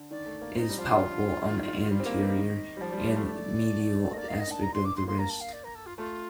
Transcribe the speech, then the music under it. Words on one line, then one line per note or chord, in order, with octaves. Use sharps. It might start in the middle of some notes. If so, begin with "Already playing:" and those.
It is palpable on the anterior and medial aspect of the wrist.
Already playing: D3
D#3 D5
A3
A#3
C4 D#4
G3
F3 F4
D3
D#3
G3 F4
C4
A#3
D#5
G3
D#3
G3
F3 D5
G3
F4
G3
A3 F4
D5
A3 D#5
A#3 D5
D#4 F5
D#5
D4 A5
A#5
C6
D6
C6
A#3 C6
A#5
A5
F5
D5
A#4
A4
F4
A3 F4